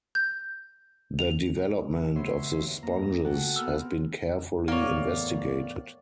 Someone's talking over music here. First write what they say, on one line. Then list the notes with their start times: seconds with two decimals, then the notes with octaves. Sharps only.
The development of the sponges has been carefully investigated.
0.15 G6
1.19 F7
2.16 B2 B3 E4 C#5 E5 C6
2.83 F2 A#3 A#5
3.25 F#4 A4 F#5 G5
3.56 B3 G#4 A#4 E6 F6
3.80 C4
4.68 E2 A2 A#3 C#5 D5